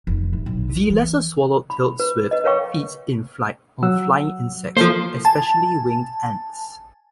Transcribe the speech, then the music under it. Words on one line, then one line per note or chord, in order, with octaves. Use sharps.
The lesser swallow-tailed swift feeds in flight on flying insects, especially winged ants.
F1
A1
B1
E4
E3
B5
B4
B4 D#5
A#4 B4 C#5 F5 G5 C#6
F#3 F#5 E6
A#3 F4 A4 C5
G#5 A5